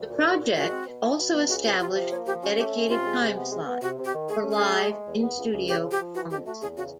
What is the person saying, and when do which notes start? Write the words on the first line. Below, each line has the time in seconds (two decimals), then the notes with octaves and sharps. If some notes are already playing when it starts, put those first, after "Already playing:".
The project also established a dedicated time-slot for live in-studio performances.
Already playing: D2
0.09 A#2
0.24 A#2
0.40 A#2
0.55 G#3 F#4
0.70 C4
0.87 B2
1.03 E4
1.18 B2
1.33 B2
1.48 C#2 F#4
1.64 C3 F4
1.79 C3 F4
1.95 F3
2.10 A#3 C#5
2.26 F3 G4
2.42 C#4 F#4
2.57 A3 G4
2.73 C#4
2.89 C3 F4
3.04 G#3
3.20 C3
3.35 B3
3.51 G#3
3.66 B3
3.81 C3 F#4
3.98 C3
4.04 G4
4.13 D#3
4.29 A3 G#4
4.44 C#4
4.51 G#4
4.60 A3
4.75 G#3
4.91 G#3
5.06 E2
5.22 B3
5.37 C#2
5.52 C#2
5.68 C#3 G4
5.84 F3
5.91 G4
5.99 F3
6.15 E3 F#4
6.30 F2 G4
6.46 A3 F#4
6.61 E2 G#4
6.77 C#3 F#4